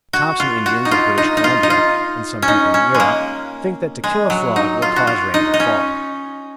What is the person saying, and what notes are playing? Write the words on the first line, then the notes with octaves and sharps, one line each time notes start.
The Thompson Indians of British Columbia and some people in Europe think that to kill a frog will cause rain to fall.
F#4
F4
F#4
D#4
F4
D#4
D#4
F4
D#4
F4
C#4
D#4
C#4
G#3
A#3
G#3
F#3
D#4
F4
F#4
F4
D#4
D#4
C#4